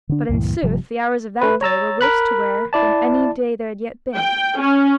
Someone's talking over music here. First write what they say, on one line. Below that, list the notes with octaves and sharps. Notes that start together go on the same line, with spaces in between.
But in sooth the hours of that day were worse to wear than any day there had yet been.
D3 D4
C#2 G2 A#2 E3
G1 C3 F3 G3
A3 B4
C#5 A#5 E6 A6
A#4 B5 F#6
E4 D5 A5
G5
C#4